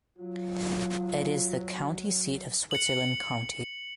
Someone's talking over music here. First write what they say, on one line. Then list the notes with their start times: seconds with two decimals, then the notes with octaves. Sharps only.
It is the county seat of Switzerland County.
0.19 F#3 F4
2.71 C#7 F#7